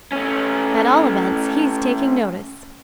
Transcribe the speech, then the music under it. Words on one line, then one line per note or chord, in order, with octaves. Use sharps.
"At all events, he's taking notice."
A3 C#4